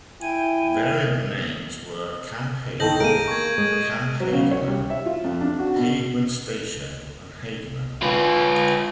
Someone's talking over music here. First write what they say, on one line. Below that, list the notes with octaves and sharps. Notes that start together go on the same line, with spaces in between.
Variant names were Camp Hageman, Camp Hagerman, Hageman Station, and Hagerman.
E4 G5 G#5
D#3 A4 D#5 G6 A#6 F#7
A#3 G#4 A#4 D7 D#7
C#6 G#6
G#3
F#3
C#3
C#5
G3
E5
F4
F2
D4
F#4
B2
F4 B4